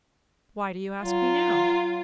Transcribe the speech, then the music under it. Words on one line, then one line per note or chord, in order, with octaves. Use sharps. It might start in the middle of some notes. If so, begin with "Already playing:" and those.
"Why do you ask me now?"
F#3 F4